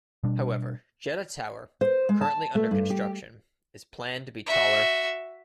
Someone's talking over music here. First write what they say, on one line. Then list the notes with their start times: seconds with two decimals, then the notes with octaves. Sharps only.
However, Jeddah Tower, currently under construction, is planned to be taller.
0.24 B2 G3 D4
1.81 C5
2.09 G#3
2.21 A5
2.55 A3
2.71 G2
2.90 G4
4.46 F#4 E5